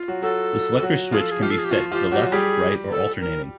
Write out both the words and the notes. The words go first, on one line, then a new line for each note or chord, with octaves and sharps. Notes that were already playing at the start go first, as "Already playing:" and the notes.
The selector switch can be set to left, right, or alternating.
Already playing: F4
F#3 F#4
F#3 F#4 A4
F#3 F#4
F3 F4 G#4
A4
G#4
F3 F4 G4
A4
G#4
G4
F3 F4 F#4
F3 F4 G4
F#3 F#4 G4
G3 G4 G#4
A4
A#4